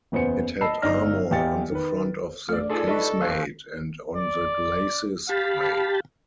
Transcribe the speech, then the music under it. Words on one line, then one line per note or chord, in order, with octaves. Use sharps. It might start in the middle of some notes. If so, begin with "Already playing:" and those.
It had armor on the front of the casemate and on the glacis plate.
F#1 E2 B3 C5 C#7
D#5 A5 B5 E6 C7
G1 D#4 D5 D#5 F6 A#6
E2 G4 D#5 F5 A6 C#7
D#3 B4
F#2 A3 D5
A2 D#4 F4 G#4 A4 D5
G2 D#4 B4 D5 D#5 A5 C#6
A3 G4 C5 F5 F#6
D5
G4 F5 A5 B5